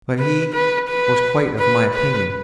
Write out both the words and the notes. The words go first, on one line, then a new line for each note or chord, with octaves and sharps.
But he was quite of my opinion.
B4
B4
B4
B4
B4